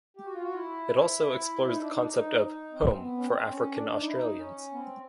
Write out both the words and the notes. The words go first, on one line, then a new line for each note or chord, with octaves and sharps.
It also explores the concept of "home" for African Australians.
G4
F#4
F4
F#4
F4
E4
D#4
D4
D#4
D4
D#4
D#4
C4
B3
C#4
C4
C#4
D4
D#4
E4
D#4
C#4
B3
C4